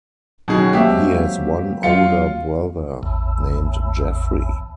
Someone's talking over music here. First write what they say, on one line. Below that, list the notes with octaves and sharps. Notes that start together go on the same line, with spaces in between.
He has one older brother named Jeffrey.
B2 D#3 F#3 C#4 F#4 G#4
G#3 A#3 C4 G4 E5
F#3 F4 F5 C#7
A1 E2